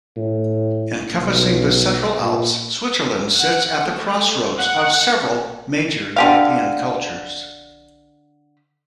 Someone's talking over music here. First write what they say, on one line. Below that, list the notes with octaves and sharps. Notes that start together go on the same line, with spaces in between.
Encompassing the Central Alps, Switzerland sits at the crossroads of several major European cultures.
A2
B1
A#2
F#5
A3
F#5
D3 G4 F5